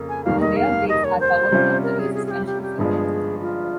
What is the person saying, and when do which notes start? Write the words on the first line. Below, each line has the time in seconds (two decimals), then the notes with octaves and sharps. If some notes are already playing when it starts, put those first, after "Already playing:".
The rear brakes are powered from the rear suspension circuit.
Already playing: F2 C#3 A#3
0.09 G#5
0.24 F1 D#2 D#3 G3 A#3 F5
0.41 D#5
0.56 F5
0.89 D#5
1.04 C#5
1.20 C5
1.52 C3 G3 C#4 F4
1.83 A#4
1.99 G#4
2.14 G#4
2.27 G#4
2.31 G4
2.46 G4
2.62 G4
2.78 G1 G2 F3 G#3 G#4
3.41 F4